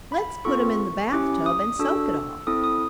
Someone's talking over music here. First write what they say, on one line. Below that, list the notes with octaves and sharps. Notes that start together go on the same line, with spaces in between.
"Let's put him in the bath tub and soak it off."
B5
C4 F4 A4 C#6
C#4 E4 G4 D6
D#6
D4 F#4 A4 E6
C4 E4 A4 D#6
D#6